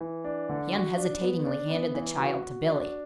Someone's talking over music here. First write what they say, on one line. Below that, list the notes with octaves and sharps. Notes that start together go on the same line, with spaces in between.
He unhesitatingly handed the child to Billie.
E3
D4
D3
F#4
D4
B3
D4
B3
E3
F#4
F#4
D4